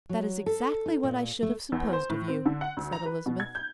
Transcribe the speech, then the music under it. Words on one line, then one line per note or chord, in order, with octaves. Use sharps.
"That is exactly what I should have supposed of you," said Elizabeth.
F#3
A4
D#4
A#2
A3
E2
C5
A2
C4
D3
F#5
D2
A#5
B4
B2
G#6
G6